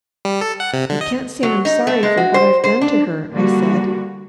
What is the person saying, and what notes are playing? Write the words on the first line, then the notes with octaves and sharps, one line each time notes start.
"I can't say I'm sorry for what I've done to her," I said.
G3
A4
F#5
C3
D3
D#5
F#3
D#4
A3
G#3
F#4
C5
C5
D4
D3 G3 A#3 F#4